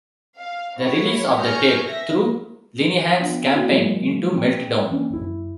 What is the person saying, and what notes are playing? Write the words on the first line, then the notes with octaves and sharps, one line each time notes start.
The release of the tape threw Lenihan's campaign into meltdown.
F5
E4 F#4 C#5
G#5 C#6 F6 G6 A#6
E5 A#6
B3 D4 F4 G5
A#3 C4 E4 F#4
E3 F#3 G#3 A#3
G5
E3 A#3 C#4 D4
F#2 E4